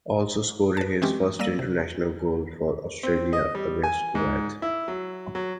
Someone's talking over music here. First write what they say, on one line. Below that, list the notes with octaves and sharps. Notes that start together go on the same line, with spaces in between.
Also scoring his first international goal for Australia against Kuwait.
B4 A5
E3 G#3 C4 C#4 G4
G3 A#3 D5 E6 A#6 D#7
C3
C4
D#5
G3
G#5
G#2
E4
F#3
F#3